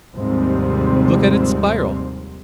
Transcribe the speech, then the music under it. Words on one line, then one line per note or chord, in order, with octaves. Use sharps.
"Look at its spiral!"
D#2 G#2 C3 F3 G3 C4